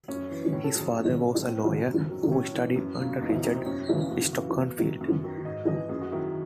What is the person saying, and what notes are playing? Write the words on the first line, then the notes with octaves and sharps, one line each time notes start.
His father was a lawyer who studied under Richard Stockton Field.
F#2 C#4
E3
A2 C#4
A4
F#3 G#4
F#4
G#2 C#4
F#3
A2 C4
F#3
F#2
D#3 F#3
A2 C#4
E3
F#2
C#3 F#3
E2 D#4
E4
C3 F#3 D#4
C4
F#2 C#4
C#3 E3 E4
F#2 F#4
C#3 E3 F#4
E2
D#3 F#3
F#2
D#3 F#3
G#2 D#5
E3 D#5
F#2 G#4
F#4
D#3 F#3 E4